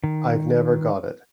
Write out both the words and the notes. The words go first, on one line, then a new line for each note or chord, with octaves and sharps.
I’ve never got it.
D#3